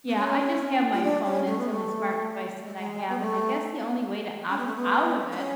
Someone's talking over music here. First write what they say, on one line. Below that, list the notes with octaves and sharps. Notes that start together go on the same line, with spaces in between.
Yeah, I just have my phone, that's the only smart device that I have, and I guess the only way to opt out of it
B3
C#4
F4
D4
C#4
A3
B3
A3
A3
G#3
B3
A3
C#4
B3
A3
B3
D4
C#4